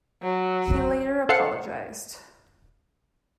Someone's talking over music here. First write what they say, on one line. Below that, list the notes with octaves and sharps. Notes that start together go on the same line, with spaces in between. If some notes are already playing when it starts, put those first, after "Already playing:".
He later apologized.
F#3
A4 C5 F5 F#5 C7 C#7